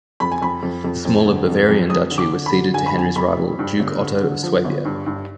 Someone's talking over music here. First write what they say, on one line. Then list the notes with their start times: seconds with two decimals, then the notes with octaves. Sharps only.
The smaller Bavarian duchy was ceded to Henry's rival Duke Otto of Swabia.
0.20 F2 B5
0.32 G#5
0.41 F2 B5
0.62 F2
0.84 F2
1.05 F2
1.26 D3
1.48 F2
1.69 F2
1.90 F2 D#6
2.11 D3
2.18 D6
2.32 D3
2.46 B5
2.53 D3
2.74 D3 G#5
2.86 B5
2.95 F2 G#5
3.16 F2 B5
3.37 F2
3.59 G2
3.79 G1
4.01 D3
4.22 D3
4.43 F3
4.64 G1
4.85 G2
5.06 G2